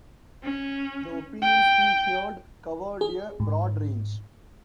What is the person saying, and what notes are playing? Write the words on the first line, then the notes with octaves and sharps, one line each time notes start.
The opinions he heard covered a broad range.
C#4
G5
G#4
G#2